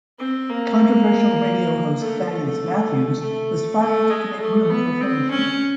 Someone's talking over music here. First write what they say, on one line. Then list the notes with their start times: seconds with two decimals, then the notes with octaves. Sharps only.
Controversial radio host Thaddeus Matthews was fired to make room for Ferguson.
0.19 C4
0.49 A#3
2.00 A3
2.29 A3
3.20 A3
3.80 A3
4.10 G#3
4.40 A3
4.70 B3
5.00 C4
5.31 C#4